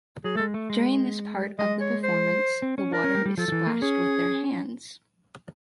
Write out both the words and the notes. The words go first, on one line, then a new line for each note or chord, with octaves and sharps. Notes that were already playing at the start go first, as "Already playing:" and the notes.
During this part of the performance, the water is splashed with their hands.
F#3 G#4
A3 A4
G#3
A3
G#3
G#3 D#5
C#5
C5
C4
C#4
D4 A#4
C#4
G3
G3
F3 A4
F3
E3
A#3
C#4 G#4